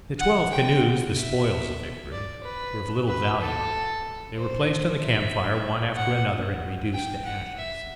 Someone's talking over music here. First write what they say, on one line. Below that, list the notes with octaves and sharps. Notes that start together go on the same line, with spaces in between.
The twelve canoes, the spoils of victory, were of little value; they were placed on the camp fire one after another, and reduced to ashes.
F#5
G5
E5
D5
B4
B4
A4
C5
E5
F#5
G5
F#5
E5